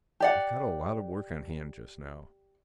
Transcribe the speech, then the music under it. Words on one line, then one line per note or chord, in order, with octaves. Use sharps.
I've got a lot of work on hand just now.
G4 D5 F#5